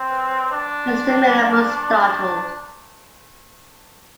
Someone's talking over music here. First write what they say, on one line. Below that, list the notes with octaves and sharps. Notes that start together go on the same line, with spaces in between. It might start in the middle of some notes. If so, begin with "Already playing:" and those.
Mr. Miller was startled.
Already playing: C4
D4
D4